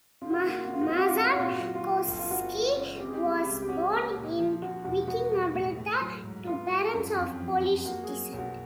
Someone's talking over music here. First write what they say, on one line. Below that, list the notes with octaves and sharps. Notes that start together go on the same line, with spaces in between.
Mazankowski was born in Viking, Alberta, to parents of Polish descent.
C#3 F4
F#4
F4
A#3 F#4
F4
C#3 F#4
F4
F#4
C4 F4
F#4
F4
G#3 F#4
F4
F#4
A#2 F4
F#4
F4
F#3
F#4
F4
D3
G1
F4
B3 F#4
G#3
C#3
C4 G4
G#4
G4
G3
C#2
G4
C#4 F#4
A#3
A#2
F3
D3 F#4
E1 F#4
B3 F#4
G3
A2
A3
F#3
G#2
B3 F4
G3
F#2
F2
F3
F2
A#3 F#4
G#4
F#3
B1
F#4